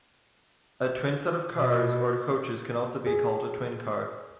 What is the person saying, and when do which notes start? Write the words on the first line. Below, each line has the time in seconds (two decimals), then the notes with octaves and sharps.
A twinset of cars or coaches can also be called a twin car.
1.54 B2
3.06 G#4